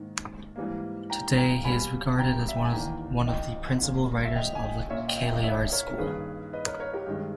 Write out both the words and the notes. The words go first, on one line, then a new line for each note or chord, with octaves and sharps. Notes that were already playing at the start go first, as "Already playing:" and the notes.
Today he is regarded as one of the principal writers of the Kailyard school.
Already playing: G#2 D#3 A#3
G#2 E3 G3 A#3
G5 A#5
G5 A#5
B2 G3 A#3 G#5 B5
G5 A#5
E5
G5
G#5
E2 D#3 A#3 G5 A#5
D#5 G5
A#2 A#3 C#4
E5
D#5 G5
G#5
D#5 G5
A#2 A#3 C#4 C#5 E5
D#5 G5
E5
D#5 G5
C#5 E5
A#4 C#5
A#4
G2 D#3 A#3 C#4 G#4 B4
B4 D#5
A#4 C#5
A#4 C#5
G4 A#4
G2 D#3 G#3 C#4 G4